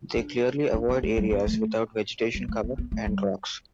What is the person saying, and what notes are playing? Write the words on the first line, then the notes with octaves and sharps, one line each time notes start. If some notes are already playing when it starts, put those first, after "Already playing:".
They clearly avoid areas without vegetation cover and rocks.
D4
D4
B3
A3
G3
B3
A3
G3
A3
B3
B3
A3
G3